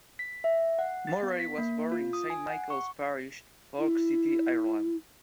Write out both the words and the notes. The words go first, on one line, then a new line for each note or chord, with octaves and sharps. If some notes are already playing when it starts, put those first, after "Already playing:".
Murray was born in Saint Michael's Parish, Cork City, Ireland.
B6
E5
F#5
A6
B3
B6
A#3
F4
D#6
G#5
F#5
C#6
E4